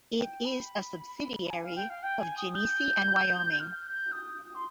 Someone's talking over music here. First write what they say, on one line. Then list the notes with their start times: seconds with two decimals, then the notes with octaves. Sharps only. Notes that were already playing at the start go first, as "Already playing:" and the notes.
It is a subsidiary of Genesee and Wyoming.
0.19 G5
0.45 B5
1.45 B5
1.50 G#5
1.63 F5
1.75 G5
1.89 F5
2.02 G5
2.19 G#5
2.37 D#6
2.54 G6
3.59 F6
3.86 G6
4.11 D#6
4.54 C6